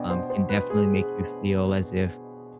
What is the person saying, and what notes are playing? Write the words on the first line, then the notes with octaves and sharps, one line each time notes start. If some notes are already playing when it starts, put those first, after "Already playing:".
um, can definitely make you feel as if,
Already playing: B2 B3 D4 D5 D#5 G5 G#5
C5
C5
B4
G#4